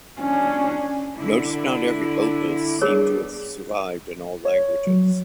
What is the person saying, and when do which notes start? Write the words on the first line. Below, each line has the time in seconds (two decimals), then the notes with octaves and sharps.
Notice not every "opus" seem to have survived in all languages.
0.20 C#4 D4
1.15 D3 E4 D5
2.81 G3 B3 D4 G#4 A#4 C#5
4.45 C#5
4.87 F#3